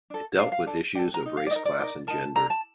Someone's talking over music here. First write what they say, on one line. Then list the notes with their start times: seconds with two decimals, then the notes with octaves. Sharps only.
It dealt with issues of race, class, and gender.
0.10 D4 A4
0.38 D4 A4 F5
0.52 F5
0.66 D4 A4
0.95 D4 G5
0.99 A4
1.14 A#5
1.22 A#4
1.26 D#4
1.37 F5
1.47 D5
1.51 D#4 A#4 D#5
1.65 D5
1.79 D#4 A#4 D5
2.07 D#4 A#4 A5
2.35 D4 A4 A#5
2.50 A5